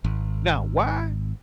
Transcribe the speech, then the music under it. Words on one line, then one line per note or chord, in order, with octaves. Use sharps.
Now, why
G#1